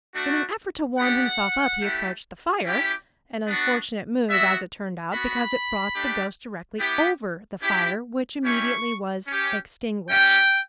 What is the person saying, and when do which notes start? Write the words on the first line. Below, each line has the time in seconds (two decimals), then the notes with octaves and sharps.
In an effort to warm himself up he approached the fire, an unfortunate move as it turned out, because it brought the ghost directly over the fire, which immediately was extinguished.
0.14 A3 D4 F#4
0.98 B3 D4 G4 F#5
1.81 A3 E4 G4
2.64 C#4 E4 G4
3.46 B3 D4 F#4
4.29 B3 F#4 E5
5.12 B3 F#4 B5
5.96 A3 D4 G4
6.78 B3 E4 G4
7.60 C#4 E4 G4
8.44 G3 C#4 E4 G4 C#6
9.27 C#4 G4
10.09 G3 C#4 G4 G5